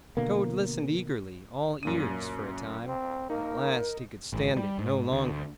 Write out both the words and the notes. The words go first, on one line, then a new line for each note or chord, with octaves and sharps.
Toad listened eagerly, all ears, for a time; at last he could stand it no longer.
B2 D3 A#3
F#2 A#2 D#7
C4
A#3 D#4 A#4
G#1
G3
G#2
D2